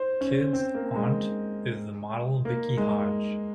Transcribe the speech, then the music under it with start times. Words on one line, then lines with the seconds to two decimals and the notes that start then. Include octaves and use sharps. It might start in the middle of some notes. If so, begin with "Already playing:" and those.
Kidd's aunt is the model Vicki Hodge.
Already playing: C5
0.21 C#4
0.53 C4
0.74 A#3
0.96 G#3
2.45 A#3
2.77 G#3